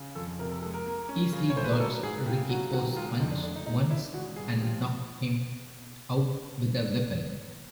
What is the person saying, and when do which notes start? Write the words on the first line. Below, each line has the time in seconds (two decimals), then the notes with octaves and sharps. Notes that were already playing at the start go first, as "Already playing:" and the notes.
Easily dodged Riki-Oh's punch once, and knocked him out with the weapon.
Already playing: C#3
0.15 F2 A4
0.39 C3 A#4
0.51 A4
0.62 G#3 A4
0.74 A#4
0.86 A#3
1.09 C#4
1.33 C#3
1.50 C#5
1.56 A3 C5
1.64 B4
1.72 A#4
1.79 F#3 A4
2.03 G#2 G#4
2.26 C#3 G4
2.49 F#3 F#4
2.73 D#3 F#4
2.97 G#3 F4
3.20 F2 D#4
3.31 D4
3.44 A3 D4
3.56 D#4
3.66 G#3 D#4
3.90 D4 E4
4.13 G#3 F#4
4.36 G2 G#4
4.60 F3 G4